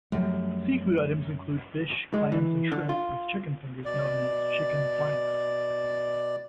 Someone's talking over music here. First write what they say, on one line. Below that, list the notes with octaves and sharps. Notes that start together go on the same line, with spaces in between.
Seafood items include fish, clams, and shrimp, with chicken fingers known as "Chicken Planks".
F#2 F3 G3 A3
G#3
E3
D3
F4
B2 D5